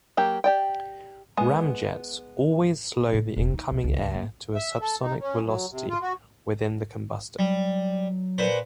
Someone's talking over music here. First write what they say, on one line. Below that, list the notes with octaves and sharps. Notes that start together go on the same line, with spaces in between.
Ramjets always slow the incoming air to a subsonic velocity within the combustor.
F#3 A#3 G4
G4 D5 G5
G#3 B3
A2
E1
D#4
B1
C#2
C#2
A#3
E5
A4
D#4
C#4
F#3
C3
F4
F#4
F#3 G3
A#2 B4 C5